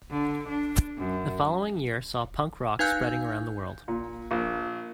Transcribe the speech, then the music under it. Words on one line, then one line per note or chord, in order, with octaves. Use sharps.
The following year saw punk rock spreading around the world.
D3
D4
F#2
D#4 B4 F5 G#5 F#6 G6
A#2
A#1